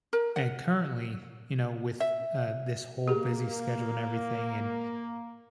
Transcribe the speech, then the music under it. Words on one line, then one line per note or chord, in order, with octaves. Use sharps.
and currently, you know, with, uh, this whole busy schedule and everything and,
A#4
F#5
E5
A#3 G4 G#4